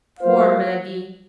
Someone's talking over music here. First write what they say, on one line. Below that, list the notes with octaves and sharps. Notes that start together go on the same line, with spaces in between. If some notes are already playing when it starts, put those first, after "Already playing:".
Poor Maggie!
F#3 A#3 F4 C5 F5